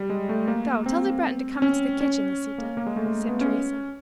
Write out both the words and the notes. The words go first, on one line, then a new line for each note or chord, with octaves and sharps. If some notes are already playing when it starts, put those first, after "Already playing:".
"Go, tell the Breton to come into the kitchen, Lisita," said Teresa.
Already playing: G3
G#3
A3
A#3
C4
C#4
C#4
A#3
A#3
G#3
A3
G#3
B3
C#4